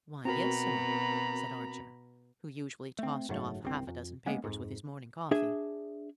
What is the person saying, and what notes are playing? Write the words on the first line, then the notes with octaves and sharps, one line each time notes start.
"Why, yes, sir," said Archer, who usually tossed off half a dozen papers with his morning coffee.
B2 C4 F#4 A#4 A#5 B5
A3 C4
F#1 G#2 F#3 A3
G1 C2 C4
F2
G#3 A#3 B3 C#4
F2 G#2
D4 G#4 E5